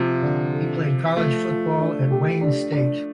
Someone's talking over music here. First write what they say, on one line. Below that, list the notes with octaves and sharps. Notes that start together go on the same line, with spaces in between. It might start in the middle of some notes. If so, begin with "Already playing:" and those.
He played college football at Wayne State.
Already playing: C3 F3 F4
D3
A4
F4
F3 A3 F4
F4
D4
G4
D4
D4